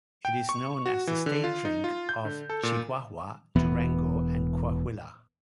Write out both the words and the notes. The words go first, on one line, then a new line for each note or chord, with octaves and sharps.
It is known as the state drink of Chihuahua, Durango and Coahuila.
G5
C#6
F#4
E3
D3
F4
D#4
F4
G6
D3
A4
A#2
E1 E3 B3